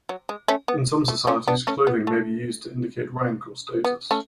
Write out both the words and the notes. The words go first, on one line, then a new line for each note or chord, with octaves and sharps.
In some societies, clothing may be used to indicate rank or status.
F#3
G#3
A3 C#4
B3
A3
A3 C#4
B3 D4
A3 C#4
B3
A3
B3
A3 C#4